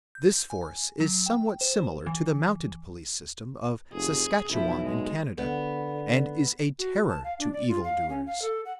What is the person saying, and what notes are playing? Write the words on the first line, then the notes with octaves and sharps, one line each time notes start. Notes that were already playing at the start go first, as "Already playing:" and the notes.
This force is somewhat similar to the mounted police system of Saskatchewan in Canada and is a terror to evil doers.
G6
G#5
F#3
G5
C5
E3
F1 G#4
B1 F3 E4
G#3
D3 B3
F#4
A5
F5
D4
D5
F4
F5
C#4
F5
A4
F#5